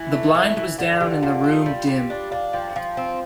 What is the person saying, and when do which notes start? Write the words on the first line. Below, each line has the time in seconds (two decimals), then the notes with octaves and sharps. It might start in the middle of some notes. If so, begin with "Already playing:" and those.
The blind was down and the room dim.
Already playing: E3
0.13 A3
0.35 E3
0.57 E3
0.78 D3 D5
0.93 F4
1.00 D3 G4
1.22 D3 F4
1.44 A3 F4
1.66 G3 F4
1.88 G3
2.10 D4 D5
2.31 D4 F5
2.53 F3 G5
2.76 F3
2.97 C4